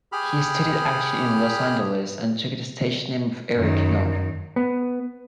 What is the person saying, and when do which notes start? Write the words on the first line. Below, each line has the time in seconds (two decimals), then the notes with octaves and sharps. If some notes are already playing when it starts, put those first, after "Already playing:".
He studied acting in Los Angeles and took the stage name of Eric Nord.
0.12 G4 G#4 B5 F6
3.55 F#2 D#3
4.56 B3